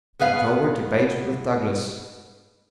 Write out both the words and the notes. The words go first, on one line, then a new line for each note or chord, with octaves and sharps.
October, debated with Douglas.
B3 G#4 B4 F5